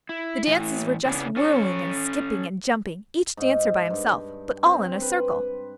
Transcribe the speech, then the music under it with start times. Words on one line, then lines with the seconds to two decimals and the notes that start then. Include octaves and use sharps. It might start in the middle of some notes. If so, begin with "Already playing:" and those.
The dances were just whirling and skipping and jumping, each dancer by himself, but all in a circle.
0.09 E4
0.47 A2 E3
1.05 C#3 E3 B3 D4 G#4
1.36 C#4 A4 C#5
3.37 G#2
3.90 G2
4.66 C4
5.02 B4